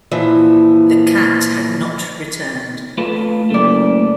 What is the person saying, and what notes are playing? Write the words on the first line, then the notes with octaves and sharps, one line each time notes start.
The cat had not returned.
A#2 E3 F3
A3 F4 B4
F#1 A3 D5